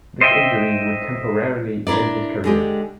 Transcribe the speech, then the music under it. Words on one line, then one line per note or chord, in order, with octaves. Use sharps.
This injury would temporarily end his career.
C5 D#5 E5 G5
D4 E4 A#4 D5
D3 G#3 G4